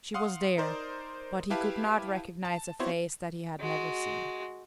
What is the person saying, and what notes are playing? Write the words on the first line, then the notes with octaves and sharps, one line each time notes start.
She was there--but he could not recognise a face that he had never seen!
F5 F#5 C6 D#6
D#4 A#4 C5 D5
E4 G4 B4 F5 A5
A5
B3 C4 E4 F#4 C5 C#5
G#3 F#4